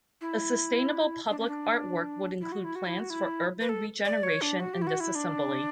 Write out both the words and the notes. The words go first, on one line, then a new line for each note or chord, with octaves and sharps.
A sustainable public art work would include plans for urban regeneration and disassembly.
E4
D4
C#4
D4
E4
F#4
E4
F#4
E4
F#4
E4
B4
A4
D5
C#5
D4
F#4
G4
E4
F#4
E4
D4